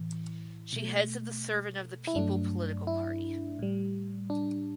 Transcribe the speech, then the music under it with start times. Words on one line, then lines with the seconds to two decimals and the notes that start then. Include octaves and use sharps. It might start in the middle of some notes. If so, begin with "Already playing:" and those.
She heads of the Servant of the People political party.
Already playing: A2 E3
0.73 B2 A3
2.07 E4
2.16 G2 F#3 A3 D4
2.87 E4
3.59 A2 G3
4.30 D4